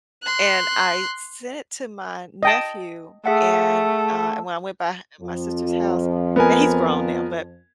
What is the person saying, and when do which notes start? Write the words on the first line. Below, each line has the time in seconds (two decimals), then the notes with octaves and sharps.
And I sent it to my nephew, and, uh, and when I went by my sister's house- and he's grown now- but
0.22 C6 F#6
2.43 D#5 G5 A5
3.26 A3 G#4 E5 F#5
5.21 F2 F3
6.36 B3 A#4 G#5